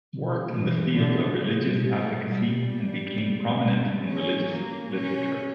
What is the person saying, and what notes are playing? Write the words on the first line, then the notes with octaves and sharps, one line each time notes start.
Worked in the field of religious advocacy and became prominent in religious literature.
E3
D3
C#3
G3
A3
G3
A3
C#4
A#3
C#4